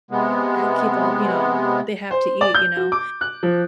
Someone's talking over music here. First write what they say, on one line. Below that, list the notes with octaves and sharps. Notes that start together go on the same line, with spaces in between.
Uh, keep all you know, they have to eat, you know,
C3 G#3 B3
C5
D5
G6
F#4
D6
F#6
F3